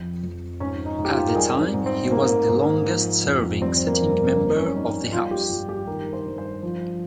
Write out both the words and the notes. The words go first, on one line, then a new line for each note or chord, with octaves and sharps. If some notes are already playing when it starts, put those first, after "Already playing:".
At the time he was the longest-serving sitting member of the House.
Already playing: F2
F2
G#2 C#4
D#4
G#2
G4
F4
A#4
G3 G#4
C4
G#2
C4
G#2 A#3
G#2
F3
F2
G3 C4
A#3
G2
C4
A#3
G3 C4
C#4
C#4
G3 D#4
D#4
G3 F4
G4
G2 F4
G4
D#3 A#4
C5
G2
C5
F3